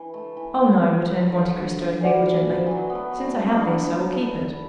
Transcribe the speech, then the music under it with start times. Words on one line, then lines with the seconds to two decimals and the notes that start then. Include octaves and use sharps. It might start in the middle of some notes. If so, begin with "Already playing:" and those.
"Oh, no," returned Monte Cristo negligently; "since I have this, I will keep it."
Already playing: E3
0.14 A3
0.37 E3
1.31 D3
2.00 E3 D4 F#4 D5 F#5 D6
2.67 E3 F#3
2.90 B3
2.95 A3
3.18 D4
3.41 D4
3.51 B3
3.61 D4
4.12 E4